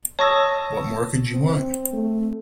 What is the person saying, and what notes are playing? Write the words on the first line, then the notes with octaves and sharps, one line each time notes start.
What more could you want?
C#5 A5 C#6 D#6 E6 A#6
C4
A3